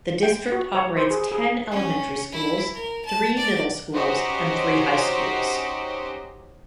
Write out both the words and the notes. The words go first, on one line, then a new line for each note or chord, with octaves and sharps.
The district operates ten Elementary Schools, three Middle Schools and three High Schools.
G5
F#4
C#5
C5
G#4
G#4
C#4
E4
A#4
A5
D5
C#4 D#4 F#4 G4 C5 D#5